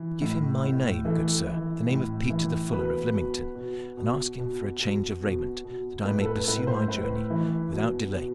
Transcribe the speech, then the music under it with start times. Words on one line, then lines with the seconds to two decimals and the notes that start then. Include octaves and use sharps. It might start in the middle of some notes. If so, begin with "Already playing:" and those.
Give him my name, good sir, the name of Peter the fuller, of Lymington, and ask him for a change of raiment, that I may pursue my journey without delay.
Already playing: E3
0.22 A2
0.64 A2
1.05 E3 A4
1.46 E3
1.89 A2
2.30 E3
2.73 B2 B4
3.13 B2
3.55 B2
3.97 B2
4.39 B2
4.80 B2
5.22 B2
5.64 B2
6.05 A2 B4
6.21 A4
6.26 B4
6.48 A2 B4
6.67 C5
6.88 A2 B4
7.30 E3
7.72 B2
8.14 B2